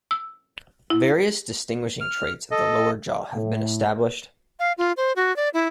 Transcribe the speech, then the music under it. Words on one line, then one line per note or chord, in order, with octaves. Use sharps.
Various distinguishing traits of the lower jaw have been established.
E6
E4
F6
A4 D#5
A2
F5
F4
C5
F#4
D5
E4